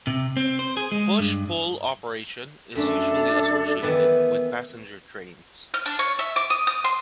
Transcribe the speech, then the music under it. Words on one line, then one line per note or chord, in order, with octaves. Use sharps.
Push-pull operation is usually associated with passenger trains.
C3
C4
C5
G#4
G#3
G2
F#2 A3 D4 A4
D#3 E3 B3
F6
D4
C#5
E5
D6
D#6
D#6
C6